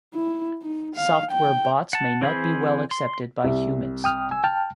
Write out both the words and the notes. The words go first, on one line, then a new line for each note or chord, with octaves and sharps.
Software bots may not be well accepted by humans.
E4
D#4
F5
G5
F#5 A5
E3 C4 G#4 C5 B5
C6
C2 E5
G5 D#6 F6
G#5 E6
G5 A5 F6